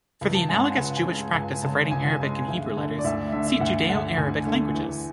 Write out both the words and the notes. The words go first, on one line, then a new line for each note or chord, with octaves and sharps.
For the analogous Jewish practice of writing Arabic in Hebrew letters, see Judeo-Arabic languages.
C#2
A5
C#3 G#3 G#5
F#5
C#2 F#5
G#5
C#3 G#3
C#2 G#5
C#3 G#3 A5
C#2 G#5
C#3 G#3
D2
D3 A3
D5
D2 E5
D3 A3 E5
E5
D2 F#5
D3 A3 F#5
D2 G#5
D3 A3
E2